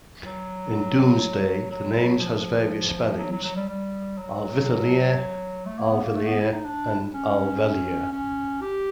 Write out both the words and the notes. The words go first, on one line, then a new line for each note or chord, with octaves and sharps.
In Domesday the names has various spellings - Alvithelea, Alvileia and Alvilea.
F#3
F#3
F3
F#3
F#3
F#3
G3
G3
F#3
A3
A#3
B3
A#3
A3
B3
E4
D#4
D4
C#4
C#4
G4